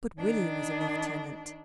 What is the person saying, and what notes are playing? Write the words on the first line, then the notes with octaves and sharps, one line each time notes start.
But William was a lieutenant.
D#3 D4